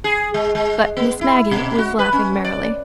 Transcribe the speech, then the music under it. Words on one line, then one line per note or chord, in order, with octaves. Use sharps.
But Miss Maggie was laughing merrily.
G#4
G#3
G#3
B3
E4
B2
F#4
B4
C#4
D5